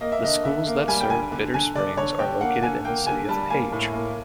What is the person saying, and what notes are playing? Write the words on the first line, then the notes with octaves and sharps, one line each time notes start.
The schools that serve Bitter Springs are located in the city of Page.
A#3 D#5
E5
D3 D#5
D3 E5
A#3
G3 G#5
G5
D3 G#5
D3
D3 G#5
D3 D5
D3 C#5
D3 G5
A#3 F#5
D3 G#5
A#3 G5
D3 G#5
G3 A5
A#3 G#5
A2
A#3